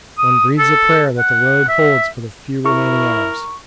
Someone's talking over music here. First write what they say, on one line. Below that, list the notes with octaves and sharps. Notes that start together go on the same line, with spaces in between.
One breathes a prayer that the Road holds for the few remaining hours.
D#6
A4
F#5
E5
E4 A#4 C#6